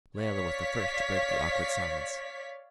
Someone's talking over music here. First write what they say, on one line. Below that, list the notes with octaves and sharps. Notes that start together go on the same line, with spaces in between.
Layelah was the first to break the awkward silence.
C#5 D5 F5 B6